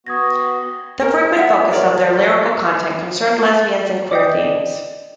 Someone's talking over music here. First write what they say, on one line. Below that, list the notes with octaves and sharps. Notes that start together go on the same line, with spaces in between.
The frequent focus of their lyrical content concerned lesbian and queer themes.
B3 F#4 D#6 G#6 A#6
A#4
E5 F#5
A#4 C#5 D5
D5 D#5 G5